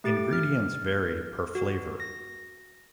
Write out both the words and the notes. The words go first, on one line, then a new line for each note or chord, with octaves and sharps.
Ingredients vary per flavor.
A3 G4 A6 D7
F6 A6
F#4
A#6